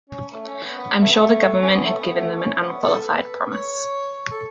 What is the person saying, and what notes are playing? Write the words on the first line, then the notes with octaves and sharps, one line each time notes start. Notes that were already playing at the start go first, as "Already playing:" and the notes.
I'm sure the government had given them an unqualified promise.
C#4
A3
C#4
B3
B3
A3
B3
A3
C#4
B3
A3
B3
A3
C#4
B3
A4
B4
C#5
A4